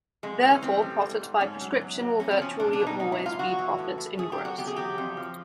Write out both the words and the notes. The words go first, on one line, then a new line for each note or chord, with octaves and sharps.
Therefore, profits by prescription will virtually always be profits in gross.
F2 G#3
E3
C#4
A2 C4
G3
G#2
G#2
G#2 C#4
F#3
E2
F#3
E2 C#4
C4
F3 C#4
B2 D4
D4
B2
D#4
G#2 D#4
E4
F#3
F4
E2 F#4
E3
A2
A2
F#2 G#4
G4
F#3
F#4
E2 G4
G#4
F#3 G4
F2
F3